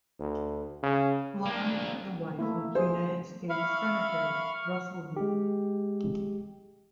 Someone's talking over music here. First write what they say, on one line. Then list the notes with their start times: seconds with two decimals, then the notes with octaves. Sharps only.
Long, the wife of United States Senator Russell B.
0.20 D2
0.83 C#3
1.46 A#3 D4
2.39 A3 A#3 E4
2.75 G#4 C5
3.49 E5 F5 B5 C#6 F6
5.16 G#3 G4